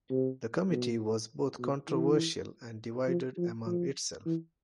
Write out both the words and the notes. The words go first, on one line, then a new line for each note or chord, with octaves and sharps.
The committee was both controversial and divided among itself.
C3
B2
B2
E3
F3
F3
F3
E3